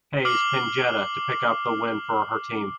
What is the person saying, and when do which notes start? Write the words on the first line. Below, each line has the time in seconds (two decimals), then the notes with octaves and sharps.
Haze pinned Jetta to pick up the win for her team.
0.25 D6 F6 C7 F#7